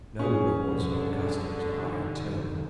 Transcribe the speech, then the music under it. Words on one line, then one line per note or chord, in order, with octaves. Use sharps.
No laws or customs are eternal.
G2 C#4 G#4
B2 D3 F3
C3 D#3